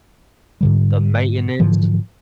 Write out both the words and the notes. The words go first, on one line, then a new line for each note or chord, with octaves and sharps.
the maintenance.
G#2 D3 G3
G#2 D3 E3 F3